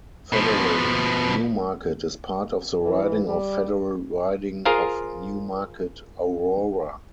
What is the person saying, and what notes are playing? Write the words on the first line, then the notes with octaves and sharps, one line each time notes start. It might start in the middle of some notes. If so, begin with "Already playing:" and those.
Federally, Newmarket is part of the riding of federal riding of Newmarket-Aurora.
B2 F3
E3
G3
F4 G#4 A#4 C5 F5